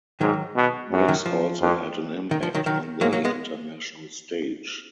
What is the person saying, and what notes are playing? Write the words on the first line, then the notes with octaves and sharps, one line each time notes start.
Briggs also had an impact on the international stage.
G#2 D#3 F#3
B2
F#2
D#3 F#3
F3
F2
D#3
F3
D#3 F#3
D#3 F#3
G#2 F#3 A#3
F#3 A#3
G#3 B3